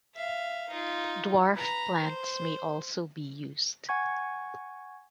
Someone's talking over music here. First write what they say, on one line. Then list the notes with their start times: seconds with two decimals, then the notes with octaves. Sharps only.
Dwarf plants may also be used.
0.15 E5 F5
0.70 D#4 F4
1.55 B4 A#5
2.02 C5
3.89 F#5 G#5 C#6 G#6